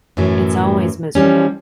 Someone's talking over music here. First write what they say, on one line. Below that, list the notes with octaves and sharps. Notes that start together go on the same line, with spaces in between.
It's always miserable.
F#2 A2 E3 F#3
E3 F3 G3 C#4